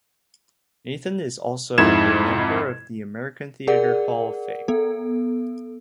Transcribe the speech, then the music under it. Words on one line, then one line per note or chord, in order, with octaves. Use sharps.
Nathan is also a member of the American Theater Hall of Fame.
F2 G#2 E4 G#6 E7
G#4 A#4 D5 F#5
B3 A4